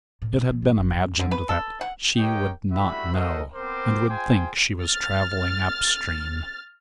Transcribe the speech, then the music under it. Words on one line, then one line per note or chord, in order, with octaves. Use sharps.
It had been imagined that she "would not know," and would think she was traveling upstream.
A2
D#4
F3
G#2
F#1
G2
D3
B4
A4
F#5
G4 A#4 C#5 D#5 G5
G3 A3 E4 F#4 E5 B5
F#4 A4 A#4 C5 D#5
B3 C4 A#4 C5 D6
F4 G#4 C5 G5 G#5
F6 A6